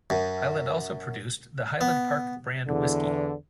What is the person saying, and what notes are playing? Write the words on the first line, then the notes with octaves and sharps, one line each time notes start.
Highland also produced the Highland Park brand whisky.
F#2
B3
E2 D3